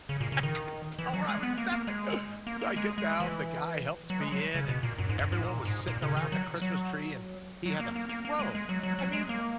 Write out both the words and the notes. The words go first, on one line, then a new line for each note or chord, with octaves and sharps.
I couldn't tell where I was stepping, so I get down, the guy helps me in, and everyone was sitting around the Christmas tree, and he had a throne. I mean,
C#3
A#2
C#3
D#3
E3
F#3
G#3
B3
A#3
A#3
G#3
A#3
A#3
G#3
G#3
E3
F#3
G#3
F#3
C#3
B2
A#2
F#2
G#2
F#2
G#2
A#2
G#2
A#2
C#3
D#3
F#3
F#3
F#3
A#3
A#3
A#3
A#3
G#3
G#3
F#3
F#3
F#3
G#3
A#3